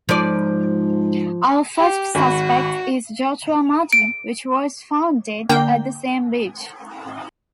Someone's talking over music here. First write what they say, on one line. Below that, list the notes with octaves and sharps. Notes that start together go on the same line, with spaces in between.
Our first suspect is Joshua Martin, which was found dead at the same beach.
G#2 F3 D5
G4
G#1 F#4 B5
D7
D3 A#3 G5